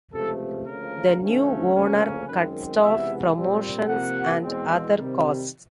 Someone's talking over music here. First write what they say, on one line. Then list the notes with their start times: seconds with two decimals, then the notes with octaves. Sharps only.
The new owner cut staff, promotions and other costs.
0.14 C#2 C3 F3 A3 A4
0.67 D2 C#3 F3 A#3 A#4
1.21 D2 D3 F3 A3 C#4
1.73 D2 C#3 F3 A#3 C#4
2.27 F#2 D#3 G#3 C4 B4
2.81 C#2 C3 E3 G#3 B3 E5
3.35 A#2 G3 C4
3.87 C3 F3 A#3 F#5
4.41 E2 B2 G#3 C4
4.95 C3 D#3 G3